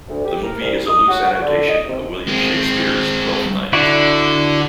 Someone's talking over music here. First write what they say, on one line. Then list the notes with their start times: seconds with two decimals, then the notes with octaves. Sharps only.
The movie is a loose adaptation of William Shakespeare's "Twelfth Night".
0.08 D2
0.25 G4
0.44 A#4
0.61 C2
0.86 D#6
1.08 F#4
1.27 F#4
1.41 D3
1.69 D#5
1.86 C3
2.28 G#3 C4
3.73 D3 E4 F#4 D5